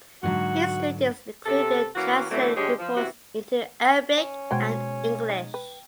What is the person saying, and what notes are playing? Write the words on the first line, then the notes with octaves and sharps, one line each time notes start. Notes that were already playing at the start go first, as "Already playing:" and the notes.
His duties included translating reports into Arabic and English.
G#2 D3 F#3 F#4
C3 A4
E3 A#3 C#4 F#4
D3 E3 F#3 A3 C4
G2 D3 G#3 G4 C#5
F3
C3 E3 F#4
C#4
B2 F#3 G#3 C5 G5 G#6
D#4
B4 G5